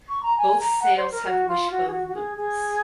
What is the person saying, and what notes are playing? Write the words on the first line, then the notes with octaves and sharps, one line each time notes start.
Both sails have wishbone booms.
C#6
A#5
G#5
A#5
F#5
C5
A#4
F#4
F4
F#4
G#4
F#4
F#4
G#4
G#4